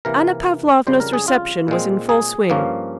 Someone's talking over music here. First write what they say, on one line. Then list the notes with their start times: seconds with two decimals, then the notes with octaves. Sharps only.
Anna Pavlovna's reception was in full swing.
0.05 C3 E3 A#3 A#4
0.87 F2 C#3 G3 C5
1.00 A#4
1.13 G#4
1.28 F4
1.68 A#2 G#3 C4
2.09 G#4
2.50 G2 F3 A#3 C#4